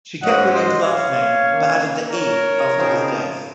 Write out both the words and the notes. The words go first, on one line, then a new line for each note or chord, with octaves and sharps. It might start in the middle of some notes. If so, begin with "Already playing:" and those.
She kept William's last name but added the "e" after his death.
G#2 F#3 C#4 D#5 F#5
C5 D#5
C#5 F5
D#3 A#3 C#4
A#4 C#5
C#3 F3 C4 D#4